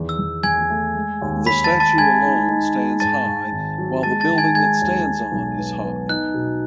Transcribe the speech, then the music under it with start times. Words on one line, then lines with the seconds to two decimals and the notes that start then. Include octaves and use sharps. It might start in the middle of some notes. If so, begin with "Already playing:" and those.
The statue alone stands high while the building it stands on is high.
Already playing: E2 D#3
0.09 E6
0.19 E2
0.43 E2 G#5 G#6
0.70 A3
0.95 G#3
1.21 D#2
1.46 D#2 B5 B6
1.64 A5 A6
1.72 D#2
1.80 A5 A6
1.98 G#3 G#5 G#6
2.24 D#4
2.49 D#4
2.76 G#3
3.00 G#2 A5 A6
3.26 G#2
3.52 G#1
3.78 F#3
4.03 G#3 A5 A6
4.20 A5 A6
4.30 D#3
4.38 G#5 G#6
4.55 G#3 G#5 G#6
4.81 D#2
5.07 G#3
5.32 B1
5.58 B3
5.84 B3
6.09 D#4 F#6
6.34 B2